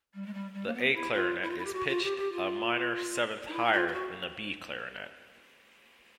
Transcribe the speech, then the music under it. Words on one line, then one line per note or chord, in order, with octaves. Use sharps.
The A clarinet is pitched a minor seventh higher than the B clarinet.
G3
G#3
G3
G3
A#3
B3
E4
F4
E4
F4
E4
G4
F#4
F4
G4
G4
F4
D#4
E4
E4
F4
F4
F#4